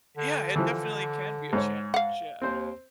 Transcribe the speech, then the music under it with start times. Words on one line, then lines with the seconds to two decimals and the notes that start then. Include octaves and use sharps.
Yeah, it definitely can be a challenge, yeah.
0.17 D3
0.56 E3 F3
1.53 G#2 C#5
1.94 F5 F#5
2.42 D#2 C4 C5